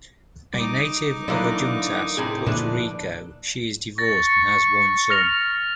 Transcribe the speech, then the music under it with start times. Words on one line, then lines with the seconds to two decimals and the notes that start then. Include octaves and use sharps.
A native of Adjuntas, Puerto Rico, she is divorced and has one son.
0.54 G3 D#4 D6
1.28 D3 E3 F#3 A#3
2.17 A2 C3 G#4
2.46 A#2 D3 E3 F3 D4
3.98 C#6 A6 A#6
5.10 F6 A#6 F7